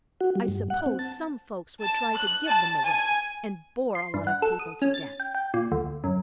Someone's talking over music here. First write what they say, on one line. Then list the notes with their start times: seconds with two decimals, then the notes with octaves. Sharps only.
I suppose some folks would try to give them away, and bore a lot of people to death.
0.21 F#4
0.35 G3
0.48 G2
0.70 F#5
0.86 C4
0.99 A5
1.81 A5
2.16 F#6
2.48 A5
2.86 G#5
3.95 C6
4.14 G2
4.27 F#5
4.42 A4
4.59 D#6
4.82 C#4
4.94 A6
5.20 G5
5.35 G5
5.54 A#2
5.72 D2
6.04 F#2